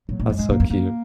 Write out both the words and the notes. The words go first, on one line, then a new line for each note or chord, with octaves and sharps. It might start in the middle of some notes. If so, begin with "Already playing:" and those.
That's so cute.
A#2 F#3
A#2 G#3
F#2
G#2 G#3
A#2 A#3
F#2
F2 A#3